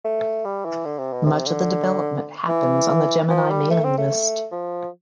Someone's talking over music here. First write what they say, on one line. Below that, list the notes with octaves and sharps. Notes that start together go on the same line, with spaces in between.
Much of the development happens on the Gemini mailing list.
A3
G3
E3
D3
C3
B2
C3
D3
E3
F3
G3
A3
C4
A3
F3